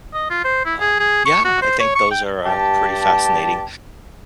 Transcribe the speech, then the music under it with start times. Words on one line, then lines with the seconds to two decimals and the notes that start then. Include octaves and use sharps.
Um, yeah. I think those are, uh, pretty fascinating.
0.14 D#5
0.30 F4
0.44 C5
0.65 E4
0.79 G#4
0.99 G#4
1.25 C#6
1.45 F#4
1.62 C5
1.80 C#5
1.95 C#6
2.11 G5
2.46 G2 G4 A5